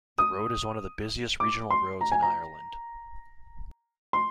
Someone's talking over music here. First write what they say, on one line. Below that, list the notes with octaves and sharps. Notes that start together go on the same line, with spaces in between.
The road is one of the busiest Regional Roads in Ireland.
D#6
D6
C6
A#5
G#5
A#5
C6